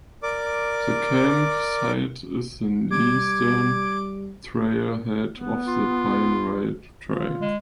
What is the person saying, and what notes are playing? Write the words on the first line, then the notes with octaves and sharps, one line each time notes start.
The camp site is the eastern trail head of the Pine Ridge Trail.
A#4 D5 D6
G3 D6 G#6
B3
F4
F4
G#3